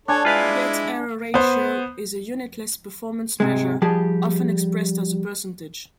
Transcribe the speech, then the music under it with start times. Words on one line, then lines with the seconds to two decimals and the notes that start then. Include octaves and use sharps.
Bit error ratio is a unitless performance measure, often expressed as a percentage.
0.08 D4 A4 C#5 G#5
0.25 G#3 E4 F4 B4 F5
1.34 B3 C5
3.40 G#2 C3 G#3
3.82 F3 G3 G4 G#4 A5